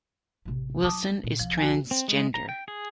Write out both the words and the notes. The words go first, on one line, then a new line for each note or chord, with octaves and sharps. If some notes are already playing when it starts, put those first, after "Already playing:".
Wilson is transgender.
A1 C3
F#3 E4 A5 D6 D#6
A#2
C2 F3
F#4 G#5
C4
G#3
A#5
G5
G#4